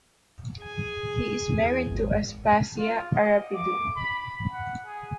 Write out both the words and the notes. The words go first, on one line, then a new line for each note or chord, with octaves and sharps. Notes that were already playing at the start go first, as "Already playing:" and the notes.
He is married to Aspasia Arapidou.
G#4 G#5
E2
G#1
F4
D#5
D6
B5
F#5
G#4